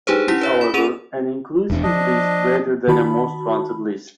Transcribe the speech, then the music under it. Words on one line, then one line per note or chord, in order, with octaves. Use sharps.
This is, however, an inclusive list rather than a "most wanted" list.
D4 D#4 G4 G#4 B4 C5
C#4 E4 G4 B6
B4 C#5 E5
B5
C#4 G#4 D#7 F7
E1 E2 D4
F3 D4 D#5
D#3 F#4 A5 B5